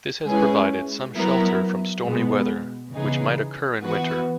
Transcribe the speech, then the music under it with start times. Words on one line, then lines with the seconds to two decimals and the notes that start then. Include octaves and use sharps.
This has provided some shelter from stormy weather, which might occur in winter.
0.26 G#3 C#4 E4 G#4 B4
1.16 F#3 B3 E4 A#4
2.05 B2 G#3 B3
2.94 C#3 E3 B3 D#4 G#4
3.83 E3 B3 F#4 B4